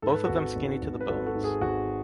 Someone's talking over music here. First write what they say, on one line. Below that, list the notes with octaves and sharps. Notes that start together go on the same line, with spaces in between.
Both of them skinny to the bones.
G#2 A4
B4
G#1 F#4 A4
G#1
G#1
B4
G#1 F#4 A4
F#4 A4
G#2
G#4
G#1 F#4